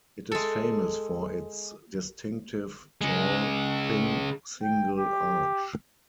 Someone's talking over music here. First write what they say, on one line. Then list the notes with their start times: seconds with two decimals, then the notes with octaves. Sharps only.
It is famous for its distinctive tall thin single arch.
0.31 G#3 A4
3.01 C#3 G#3
4.62 G5
4.97 G4